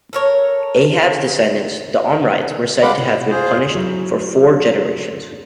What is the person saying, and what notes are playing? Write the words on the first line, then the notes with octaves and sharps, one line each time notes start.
Ahab's descendants, the Omrides, were said to have been punished for four generations.
A4 A#4 C#5
G#3 F5 F#5 B5 D6
A2
F4 G#4 C5
F#3 E4